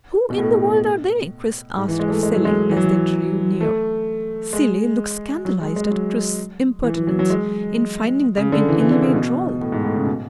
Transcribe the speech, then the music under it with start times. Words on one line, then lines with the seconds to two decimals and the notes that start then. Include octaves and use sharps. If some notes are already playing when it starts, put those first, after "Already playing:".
"Who in the world are they?" Chris asked of Cilley as they drew near. Cilley looked scandalized at Chris's impertinence in finding them in any way droll.
0.30 B2
0.38 A2
1.77 G#2
1.88 E3
2.00 G#3
2.11 A3
2.23 G#3
2.34 F#3
2.45 G#3
2.69 E3
2.77 F#3
2.84 E3
3.61 A3
4.53 G#3
5.45 F#3
5.61 G#3
5.76 G#3
5.91 F#3
6.83 E3
6.95 E3
7.07 F#3
7.19 F#3
7.30 G#3
8.37 C#3
8.52 D3
8.68 E3
8.80 E3
8.91 D3
9.02 C#3
9.14 B2
9.61 A2
9.72 G#2
9.84 A2
9.95 C#3
10.06 B2